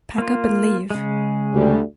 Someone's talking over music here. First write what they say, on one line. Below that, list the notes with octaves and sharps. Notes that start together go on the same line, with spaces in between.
Pack up and leave.
A#3 F4
C#3 G#3
D2 G3